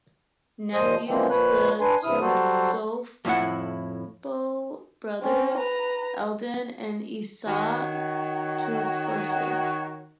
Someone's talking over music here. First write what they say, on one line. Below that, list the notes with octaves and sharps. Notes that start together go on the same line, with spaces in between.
Nephews "The Tuiasosopo Brothers" Eldon and Isaiah Tuiasosopo.
D#2 A#2 F3 C5 D#5 D#6
D3 E3 F3 G#3 A#3 C4
A#2 F3 B4 C#5 F#6
D4 B4 G#5 C6
E2 G2 C3 E4 D#6 F6
F#3 G3 F#4 A4 C5
F2 A2 E4 F#5
C4 C#4
B4 A#5
D#3 F#4 C#5